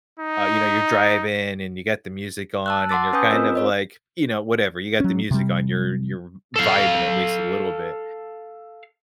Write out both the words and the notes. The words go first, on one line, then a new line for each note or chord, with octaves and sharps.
uh, you know, you're driving and you got the music on and you're kind of like, you know, whatever, you got the music on, you're you're vibing at least a little bit,
D#4
A5 E6 F#6
F#5 A5 C6 D6 E6 A6
C#4 B4 G#5 D#6 G6
C4 F4 A#4 C5 D#5 E6
C#5 D#5
F#3 C#4
C3 G3
A4 F5